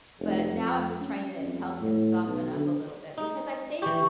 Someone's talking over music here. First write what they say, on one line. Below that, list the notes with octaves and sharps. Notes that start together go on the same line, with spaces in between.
but now I'm just trying to help him soften up a little bit, because I think
F1
F2
C#4
F2
A2
B1
D3
D#4
E3 G4 C#6